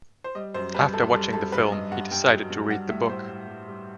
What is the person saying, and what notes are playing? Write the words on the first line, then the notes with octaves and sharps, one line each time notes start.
After watching the film, he decided to read the book.
C5
G3 D#5
F#2 C5
G3 B4
F#2 A4
G3 A4
F#2 A4
G2 B4
G2 D#5
G2 F#5
G2 G5
F#3
G2
G3 F#5
A2 E5
A2 C5
G3
G3
G3